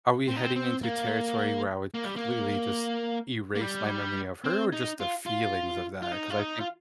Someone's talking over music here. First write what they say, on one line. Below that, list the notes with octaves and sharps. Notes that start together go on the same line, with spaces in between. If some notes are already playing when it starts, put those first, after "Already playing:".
are we heading into territory where I would completely just erase my memory of her or just the feelings of that? Cause I think
C4
D#4
C4
C4
A#3
A#3
G3
A#3
A#3
G3
C4
D#4
F4
F4
F4
D#4
F4
D#4
F4